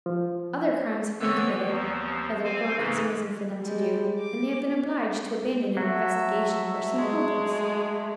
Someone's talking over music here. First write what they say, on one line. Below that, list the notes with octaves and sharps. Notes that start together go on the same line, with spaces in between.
Other crimes have been committed, other work has arisen for them to do, and they have been obliged to abandon an investigation which seemed hopeless.
F3
D3 E3 B3 C4 C#5 E6
D#2 F3
C4 C5 F5 G#5
G#2 C#3 E3
G3 G#3
D6
F#3 A3 E5
G#3